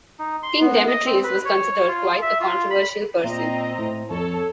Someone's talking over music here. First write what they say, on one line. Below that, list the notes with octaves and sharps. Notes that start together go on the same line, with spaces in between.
King Demetrius was considered quite a controversial person.
D#4
C6
B3
D#5
C4
B4
C#5
C#5
F4
E5
F4
B5
A#2 C4 D#5 A#5
A2
F2 A4 C#5